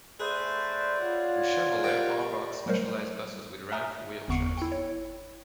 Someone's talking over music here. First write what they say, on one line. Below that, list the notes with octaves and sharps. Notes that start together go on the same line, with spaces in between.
With Chevrolet Arboc specialized buses with ramps for wheel chairs.
A3 G#4 B4 C5 D5
F4 C#5 F#5
G3 A#4 D5 G5
F#3 G3 A3 A#4 C5
E5 G#5 A#5 D#6 F6
G1 E2 B3 C#6 C7 C#7
E4 G5
C#5